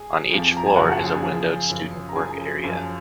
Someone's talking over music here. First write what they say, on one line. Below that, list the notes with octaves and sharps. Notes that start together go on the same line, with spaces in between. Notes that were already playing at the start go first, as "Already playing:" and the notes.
On each floor is a windowed student work area.
Already playing: G#4 G#5
F2 F3
A#5
G#5
F#2 C#3 F3 F#4 F#5
F#5
G#4 G#5
F#2 C#3 F3
F#2 C#3 F3
A#5
F#2 C#3 F3 G#4 G#5
F#2 F3